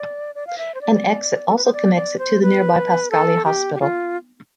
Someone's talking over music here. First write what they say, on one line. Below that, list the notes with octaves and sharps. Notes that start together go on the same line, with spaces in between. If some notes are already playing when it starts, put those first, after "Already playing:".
An exit also connects it to the nearby Pascale Hospital.
Already playing: D5
D5
F5
E5
C5
D5
A4
B4
C5
D5
D5
C5
B4
A4
G4
G4
F4